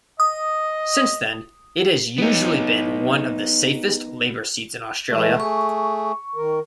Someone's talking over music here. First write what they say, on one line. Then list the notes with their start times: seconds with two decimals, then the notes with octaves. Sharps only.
Since then, it has usually been one of the safest Labor seats in Australia.
0.20 D#5 D#6
2.18 B3 D#4
5.11 E3 G#3 A3
5.40 G#4 C#6
6.36 D#3 A#4